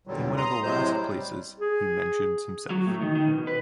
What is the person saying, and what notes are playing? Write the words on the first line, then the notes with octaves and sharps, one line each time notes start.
In one of the last places, he mentions himself.
E2 A#2 D3 F#3 G3
A#5 C6 D#6
A2 C3 F#3 G#3 C5 G6
G3
G#4
F#3
A2
D#3
D#3
B2
B4